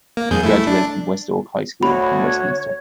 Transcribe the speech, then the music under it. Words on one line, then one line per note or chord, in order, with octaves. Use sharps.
He graduated from West-Oak High School in Westminster.
A#3
F2 G#4 G6
A3 E4
D4
D2 F#4 C#5 B5